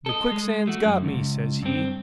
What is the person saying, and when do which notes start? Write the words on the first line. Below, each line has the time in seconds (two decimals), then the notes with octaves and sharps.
The quicksand's got me,' sez he.
0.06 A4 D#5
0.32 G#3
0.67 A3 F#4
0.85 F#2
1.05 C#2
1.63 G2 C4